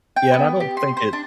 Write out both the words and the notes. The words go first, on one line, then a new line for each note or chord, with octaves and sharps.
Yeah, and I don't think it
G5
B3
G4
C6
C5
D4